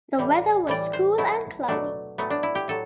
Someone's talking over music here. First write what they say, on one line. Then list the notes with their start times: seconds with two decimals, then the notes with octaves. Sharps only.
The weather was cool and cloudy.
0.19 A2 E3 G3
0.67 A2 E3 G3 D5
0.93 C5
1.18 B2 F#3 A3 E4
1.68 B2 F#3 A3 D4
2.18 A2 F#3 A3 B3
2.30 D4
2.43 E4
2.55 G4
2.68 A2 F#3 A4